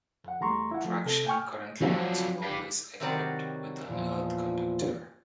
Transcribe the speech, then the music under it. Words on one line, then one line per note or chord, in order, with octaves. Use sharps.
Traction current lines are always equipped with an earth conductor.
F2 F#5
E2 G3 A3 A#5 C6 C#6
E4 F#5
F3 A3
C3 A4
G5 G#5 C#6 F6
F2 D3 F3 F#3
G1 G4 B4 F5
C3 D#3 F#3 G3 F#4 D5
E2 A#2 F3